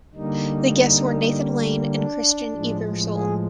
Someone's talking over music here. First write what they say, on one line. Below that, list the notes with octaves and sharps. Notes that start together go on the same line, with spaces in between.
The guests were Nathan Lane and Christine Ebersole.
D3 G3 A#3 D#4
D4
A2 F3 G#3
G#4